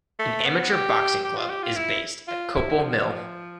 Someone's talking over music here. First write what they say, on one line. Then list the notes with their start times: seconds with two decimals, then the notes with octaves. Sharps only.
An amateur boxing club is based at Coppull Mill.
0.19 A3
0.45 B3
0.72 G4
1.24 G4
1.37 F4
1.49 G4
1.63 F4
1.76 E4
2.28 F4
2.55 E4
2.81 F3